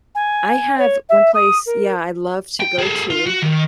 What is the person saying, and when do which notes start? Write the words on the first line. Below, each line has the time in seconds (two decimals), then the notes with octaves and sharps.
I have one place yeah, I love to go to.
0.15 G#5
0.78 C#5
1.09 E5
1.34 D#6
1.66 A#4
2.60 G5
2.79 G#4 A4
3.10 F4
3.26 F#4
3.43 D#3